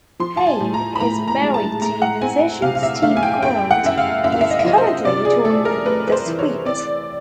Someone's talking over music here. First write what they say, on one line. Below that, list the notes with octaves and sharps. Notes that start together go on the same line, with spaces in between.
Payne is married to musician Steve Grant who is currently touring with The Sweet.
F3 C6
A5
G#5
A2
A#5
B5
A2 A#5
A#5
G#3
A5
A3 A#5
F#5
C4 G#5
C3 F5
F5
E5
A3 F5
G#5
G5
F#2 G5
F#5
F#2 E5
F5
F#2 E5
F5
E5
D#5
E5
F3 D#5
C5
C3 D5
G#4
A3 A4
A#4
A3 B4
B4
C5
E3
C#5
C4 D5